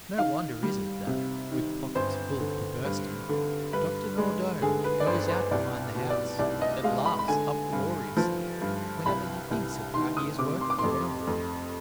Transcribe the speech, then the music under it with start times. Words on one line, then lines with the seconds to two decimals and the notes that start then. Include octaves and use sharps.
No wonder is it that, with pockets full to bursting, Doctor Nordau goes out behind the house and laughs uproariously whenever he thinks of how he has worked the world!
0.18 D#3 F5
0.63 G3
1.07 C3
1.51 D#3
1.95 G1 C5
2.40 D3
2.85 G2
3.29 D3
3.73 G2 B4
4.18 G#3
4.62 D3 G#4
4.84 B4
5.00 D5
5.06 G1 C5
5.28 C5
5.51 C2 D5
5.95 B2
6.10 D5
6.39 C2 D5
6.62 D#5
6.83 G#3 F5
7.06 B5
7.19 B5
7.28 D3 G#5
7.73 G2
8.17 F3
8.61 G2
9.06 C2 B5
9.51 C2
9.94 D#3 C6
10.17 D#6
10.39 C3 D6
10.61 C6
10.70 D6
10.79 F2 C6
11.27 F2